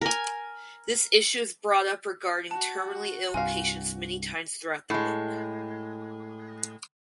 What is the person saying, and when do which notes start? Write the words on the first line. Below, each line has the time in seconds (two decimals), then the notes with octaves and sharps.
This issue is brought up regarding terminally ill patients many times throughout the book.
0.01 A#4 G#5
2.51 F#4 A5
3.34 C2 G2 F4 A#4 F5 G#5
4.90 A2 G#3